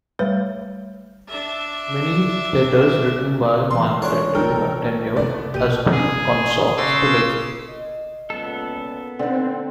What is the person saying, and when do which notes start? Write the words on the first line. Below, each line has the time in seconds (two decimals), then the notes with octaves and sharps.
Many letters, written by Margaret during her tenure as queen consort, still exist.
0.19 G3 A3 B4 C#5
1.29 D4 E5
3.71 E3 G#3 C6
4.02 C#4 D4 C#5
4.34 A4 A#4 G5
5.16 F#2 C3 A3 B3 D5
5.54 A#1 G4 D#7
5.91 G#4
6.77 C#3 C6 D6 E6
7.70 D#5
8.30 C#2 A#2 B3 A4
9.19 D3 A3 C4 D#4 B4